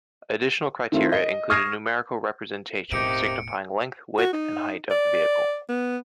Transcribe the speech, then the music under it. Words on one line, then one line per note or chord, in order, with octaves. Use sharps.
Additional criteria include a numerical representation signifying length, width and height of the vehicle.
D#3 A3 C4 E4 F4
D#5 G7
C#6 D#6 F6 G#6 A#6 C7
E1 A2 C3 A#3 D#4 G4 C#7 D7
F#4
D#4
D5
B3